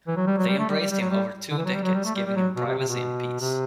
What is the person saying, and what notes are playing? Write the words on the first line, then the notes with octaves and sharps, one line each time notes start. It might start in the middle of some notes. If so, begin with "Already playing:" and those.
They embraced him over two decades giving him privacy and peace.
E3
F#3
G3
F#3
G3
A3
G3
G3
G3
F#3
G3
D3
E3
F#3
G3
F#3
G3
A3
G3
G3
F#3
B2
C3
C3
B2
C3